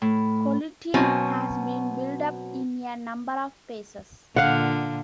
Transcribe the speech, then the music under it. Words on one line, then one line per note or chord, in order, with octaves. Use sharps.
Collydean has been built up in a number of phases.
A2
B2 F#3 C4 C#4 G#5
A#2 D3 F5 F#5